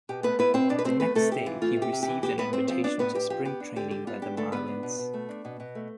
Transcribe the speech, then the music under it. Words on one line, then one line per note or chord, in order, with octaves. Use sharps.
The next day, he received an invitation to spring training by the Marlins.
B2 G4
A3 B3 B4
B3 E4 B4
B2 C4 C5
B2 D4 D5
B4
A3 C4 C5
A3 B3 B4
C3 A3 A4
C3 G4
E3 F4
A3 F4
C3
G4
C3
G4
E3
B3 G4
A2 B3 B4
A2 C4 C5
F3 C4 C5
B3 D4 D5
A2 B3 B4
A2 G4
F3 G4
B3 G4
D4
D3 G4
G3 G4
B3 F4
D4 G4
D3 A3 A4
G3 B3 B4
D4
B2
B2
A3
D4
B2
B2
A3